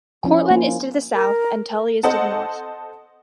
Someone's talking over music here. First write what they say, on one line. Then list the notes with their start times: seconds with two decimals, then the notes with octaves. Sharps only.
Cortland is to the south, and Tully is to the north.
0.24 F3 C#4 E4
0.51 A#3 F4
1.14 A#4
2.03 A4 C5 D#5 F#5 A5